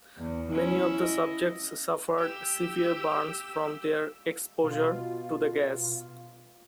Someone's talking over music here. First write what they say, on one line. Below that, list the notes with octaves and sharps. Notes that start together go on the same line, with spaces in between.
Many of the subjects suffered severe burns from their exposure to the gas.
E2
C#4 E4
D#5
G4 E6
B2 F4